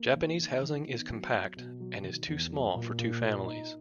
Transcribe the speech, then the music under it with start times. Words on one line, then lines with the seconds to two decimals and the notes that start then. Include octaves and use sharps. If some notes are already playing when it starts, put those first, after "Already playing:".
Japanese housing is compact, and is too small for two families.
Already playing: A#3
0.16 D#3
0.39 D#3
0.63 D#3
0.86 B3
1.10 F#3
1.33 F#3
1.57 B2
1.80 F#3
2.04 D#3
2.27 E2
2.51 F#3
2.74 A#2
2.98 A#2
3.21 A#2
3.45 D#4